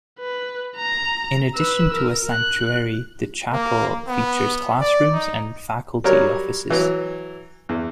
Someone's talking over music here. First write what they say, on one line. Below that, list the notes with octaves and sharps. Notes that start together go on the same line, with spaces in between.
In addition to a sanctuary, the chapel features classrooms and faculty offices.
B4
A#5
B4 E6
A#4
F#6
A#3
B3
D5
D#4
F#3 G3 A#4 C#5
E3 F#3
E2